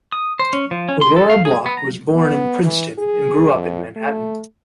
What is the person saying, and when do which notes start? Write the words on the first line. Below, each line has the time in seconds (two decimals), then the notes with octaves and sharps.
Aurora Block was born in Princeton and grew up in Manhattan.
0.12 D#6
0.39 C5
0.53 C#4
0.71 F3
0.89 C#4
1.01 C6
1.16 A4
1.30 F5
1.45 G#4
1.66 B3
1.77 A#5
2.16 B3
2.64 E3
2.98 G#4
3.54 F2
3.96 A3